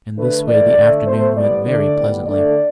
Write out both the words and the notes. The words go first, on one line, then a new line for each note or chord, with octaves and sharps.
In this way the afternoon went very pleasantly.
D3 A3 B4
A2 E3 A3 D5
D3 A3
B2 A3 C5
A2 G3 B3 D5
D3 A3 D5
A2 G3 B3
D3 A3 D5